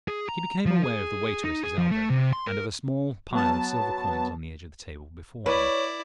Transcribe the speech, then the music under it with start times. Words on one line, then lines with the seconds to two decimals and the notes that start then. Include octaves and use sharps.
He became aware of the waiter at his elbow and of a small pile of silver coins on the edge of the table before him.
0.08 G#4
0.29 A#5
0.66 F3
0.84 G#4
1.44 D#4
1.63 G#4
1.78 F3
1.91 A3
2.10 C3
2.33 C6
2.47 A#4
3.30 F#3 B3 A5
5.46 E4 B4 C#5 D5